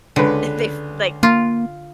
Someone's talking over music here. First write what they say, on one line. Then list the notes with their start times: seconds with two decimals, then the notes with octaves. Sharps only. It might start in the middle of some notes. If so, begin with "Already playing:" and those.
they've, like,
0.16 C#2 D3 B4
1.23 A#3 F4